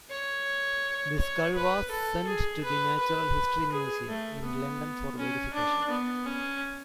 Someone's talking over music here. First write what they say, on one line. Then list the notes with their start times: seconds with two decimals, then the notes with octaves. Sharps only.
The skull was sent to the Natural History Museum in London for verification.
0.10 C#5
1.18 C#5
1.55 B4
1.91 A4
2.27 G#4
2.64 B4
3.00 B4
3.72 G#4
4.09 A3
4.45 B3
5.18 C#4
5.54 D4
5.90 B3
6.26 C#4